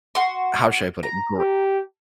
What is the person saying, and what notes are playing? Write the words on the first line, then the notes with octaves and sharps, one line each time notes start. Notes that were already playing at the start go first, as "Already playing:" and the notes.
how should I put it? Gr
F#4 C6
A#5
G4